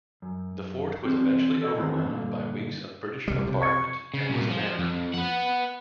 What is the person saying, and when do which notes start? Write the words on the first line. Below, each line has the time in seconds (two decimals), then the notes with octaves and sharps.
The fort was eventually overwhelmed by weeks of British bombardment and was abandoned.
0.22 F#2
1.05 E2 C4
1.61 A4 C#5 D#5
1.76 E2 D#3 A3 B3 C4
2.05 G2 A#2 D3
3.28 C2 G3
3.47 C3
3.62 C#6 G#6 C#7
4.14 C#3
4.30 C2 A#2
4.51 F3
4.79 F2
5.14 B4 F#5